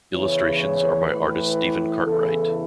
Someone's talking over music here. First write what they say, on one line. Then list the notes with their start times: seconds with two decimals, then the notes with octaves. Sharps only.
Illustrations are by artist Stephen Cartwright.
0.13 E2 C#3 E3 C#5
1.08 A2 E3 B4
2.03 E2 C#3 E3 A4